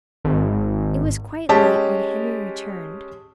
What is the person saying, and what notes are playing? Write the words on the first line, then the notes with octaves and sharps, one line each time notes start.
It was quite late when Henry returned.
G#1
G#3 C#4 G4 A5